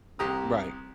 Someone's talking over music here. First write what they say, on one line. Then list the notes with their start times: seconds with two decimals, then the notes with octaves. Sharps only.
Mm, right.
0.19 C2 G4 A#5 D#6